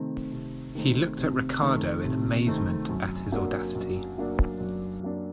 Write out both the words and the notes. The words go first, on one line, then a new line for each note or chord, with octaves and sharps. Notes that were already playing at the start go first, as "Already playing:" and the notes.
He looked at Ricardo in amazement at his audacity.
Already playing: C3 D#3 A3 C4
C3
D#3 A3 C4
C3
D#3 A3 C4
C3
D#3 A3 C4
F#2
F#3 A#3 D4
F#2
F#3 A#3 D4
F#2
F#3 A#3 D4